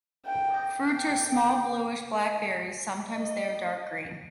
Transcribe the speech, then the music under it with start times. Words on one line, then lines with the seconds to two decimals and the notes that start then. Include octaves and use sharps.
Fruits are small bluish black berries, sometimes they are dark green.
0.26 G5
0.74 G5
2.17 D#5
3.13 D#5